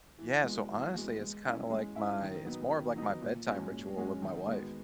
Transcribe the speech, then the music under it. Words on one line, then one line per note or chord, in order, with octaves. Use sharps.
Yeah, so honestly, it's kinda like my It's more of like my bedtime ritual with my wife.
E3
G#3 B3 F#4
E3
G#3 B3 F#4
G#3
C#4 E4
G#3
C#4 E4
D#3
F#3 B3 D#4
D#3
F#3 B3 D#4
A#2
G#3 C#4 F#4
A#2
G#3 C#4 F#4
D#3
G#3 B3 F#4